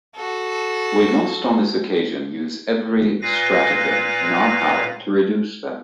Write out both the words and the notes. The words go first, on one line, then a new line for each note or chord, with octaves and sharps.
We must on this occasion use every stratagem in our power to reduce them.
F#4 A4
A#2 B4 F5 A#6